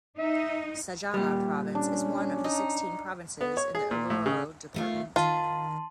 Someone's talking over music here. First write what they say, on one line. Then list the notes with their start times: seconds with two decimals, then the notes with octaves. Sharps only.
"Sajama" province is one of the sixteen provinces in the Oruro Department.
0.19 D#4 E5
1.14 A#2 G3 G4
1.75 C#4 D4
2.44 D#4
3.41 B3
3.57 C#5
3.75 G#4
3.91 A#2
4.10 A2
4.26 C#3
4.74 D#3 A3 F4
5.16 D#3 F4 A5 C6